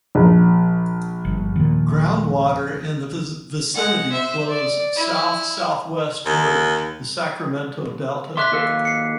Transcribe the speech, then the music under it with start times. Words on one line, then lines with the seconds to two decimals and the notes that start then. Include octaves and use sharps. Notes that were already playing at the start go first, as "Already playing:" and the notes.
Groundwater in the vicinity flows south-southwest toward the Sacramento Delta.
0.15 A#1
1.25 G1
1.56 D#2 A#2
3.74 G#3 F#5
4.12 C5 E5
4.48 D5
4.96 E4
6.26 D#2
8.37 E5 C6 D6 F#6 B6
8.52 D#2 A4 F5
8.85 C7 C#7